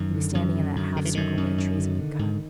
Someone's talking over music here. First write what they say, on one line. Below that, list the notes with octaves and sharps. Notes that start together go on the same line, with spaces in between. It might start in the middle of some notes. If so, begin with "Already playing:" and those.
He was standing in that half-circle where the trees have been cut.
Already playing: F#2 D#3
D3
F#2
D3
F#2
D3 D#3
E3
F#2 D#3
F#2
F#2
D3
D3
G#2